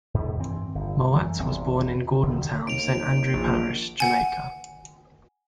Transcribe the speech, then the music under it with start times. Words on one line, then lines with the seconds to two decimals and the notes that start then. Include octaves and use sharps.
Mowatt was born in Gordon Town, Saint Andrew Parish, Jamaica.
0.14 G#2
0.37 G2 D#3 E3 C4
0.75 G1
1.15 F#2 E3 G3
1.39 G#1 E2 C3 C4
2.23 D#1 D3 D#3
2.67 D#2 D7 F7
3.33 A#1
4.00 F#5 G#5